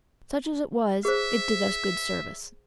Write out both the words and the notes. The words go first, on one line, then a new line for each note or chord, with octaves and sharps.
Such as it was, it did us good service.
G#4 C5 E5